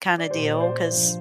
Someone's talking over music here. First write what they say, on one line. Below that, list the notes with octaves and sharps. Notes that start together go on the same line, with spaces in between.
kinda deal 'cause
D5
A#2 G3 C5
D5
C5
G2 F3